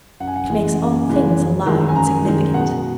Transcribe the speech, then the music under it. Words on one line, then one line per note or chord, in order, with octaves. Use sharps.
It makes all things alive and significant.
F#2 F#5
G#5
F#5
C#3 E3 G#3
F#2
C#3 E3 G#3
F#2
D#3 G#3
G#5
F#2 A#5
D#3 G#3
B2 F#5